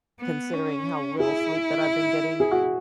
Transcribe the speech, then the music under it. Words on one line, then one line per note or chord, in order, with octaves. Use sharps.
considering how little sleep that I've been getting
B3
C#4
E4 G#4
G#4
F#4